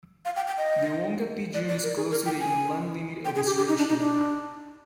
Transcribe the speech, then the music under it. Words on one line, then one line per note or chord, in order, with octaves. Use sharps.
The wonga pigeon is close to the inland limit of its range here.
F5
G5
G5
D#5
D5
D5
A#4
G#4
A#4
G5
G#5
G5
G#4
G4
G4
D#4
D4
D#4
D4